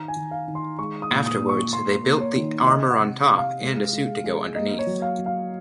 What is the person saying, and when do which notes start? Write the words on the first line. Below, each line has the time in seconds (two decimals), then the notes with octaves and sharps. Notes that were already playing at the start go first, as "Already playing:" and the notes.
Afterwards they built the armor on top and a suit to go underneath.
Already playing: D#3 A#5
0.08 G#5
0.16 D#3
0.31 F5
0.48 D#3
0.55 C6
0.79 G#3 C#6
1.02 D#6
1.10 A#2
1.26 D#6
1.42 A#2
1.49 C#6
1.73 A#3 C6
2.04 A#3
2.20 C#5
2.36 D#3
2.67 C3 D#5
2.91 F#5
2.98 C3
3.29 C3
3.38 F5
3.61 G#3
3.93 G#3
4.24 G#3
4.55 A#3 D#5
4.79 C#5
4.87 F#3
5.02 F5
5.19 F#3
5.26 F5